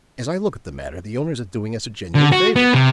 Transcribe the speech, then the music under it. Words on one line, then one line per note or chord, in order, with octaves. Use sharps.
As I look at the matter, the owners are doing us a genuine favor.
D3
F#4
B3
C3